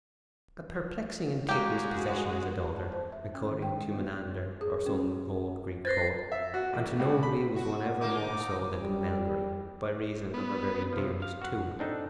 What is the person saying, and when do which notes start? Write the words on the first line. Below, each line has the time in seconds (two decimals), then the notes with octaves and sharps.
"A perplexing and ticklish possession is a daughter," according to Menander or some old Greek poet, and to nobody was one ever more so than to Melbury, by reason of her very dearness to him.
1.49 G#3 A#3 F#4 G4
2.77 A5
2.92 C5
3.12 E5
3.34 C#4
3.48 D#3
3.62 G5
3.78 G#3
3.93 B3
4.61 G#4
4.86 C#4
5.85 B4 C5 A6 A#6 C7
6.32 E5
6.54 F#4
6.73 A1
6.99 C#2
7.23 B5
7.56 F#4
8.01 D3 A#3 D#4 D6
8.78 G3
10.34 B3
10.93 C3 F3
11.22 F5
11.42 F#4 F#5
11.79 C4 D4 D#4 A4